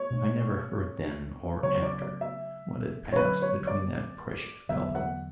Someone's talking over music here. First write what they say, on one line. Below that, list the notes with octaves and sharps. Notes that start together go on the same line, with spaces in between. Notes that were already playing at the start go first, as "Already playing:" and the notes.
I never heard then or after what had passed between that precious couple.
Already playing: C#5
B2 A3 D4
C#3 F#3 C#4 C#5
C#5
D5
D5
E5
C#5
D3 F#3 C#4 B4
C#5
D5
E2 D3 F#3 B3 E5
F#5